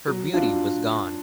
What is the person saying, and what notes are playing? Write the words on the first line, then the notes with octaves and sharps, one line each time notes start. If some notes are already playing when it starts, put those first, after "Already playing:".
Her beauty was gone.
F#3
D4 F4